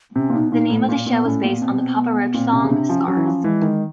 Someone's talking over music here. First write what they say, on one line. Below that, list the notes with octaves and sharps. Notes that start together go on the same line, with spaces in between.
The name of the show was based on the Papa Roach song "Scars".
C3 C#4
A#2
B2 D#4
A#2 D#4
A2 A3
A#2 A#3
A#2 B3
A2 C#4
A#2 B3
B2 C4
B3
A#2 C4
C3 C#4
C#3
C3 D4
F3 C#4
F3
F#3 C#4
E3
F3
E3 G#3
D#3